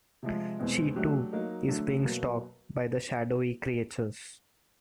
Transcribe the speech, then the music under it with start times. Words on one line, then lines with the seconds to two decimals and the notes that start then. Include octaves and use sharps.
She, too, is being stalked by the shadowy creatures.
0.23 C3 F3 G#3
0.59 E2 B2 G#3 C4
0.96 F#3 A3 D4 G4
1.32 F#3 A#3 D#4
1.68 D3 F#3 A3
2.04 B2 F#3 A#3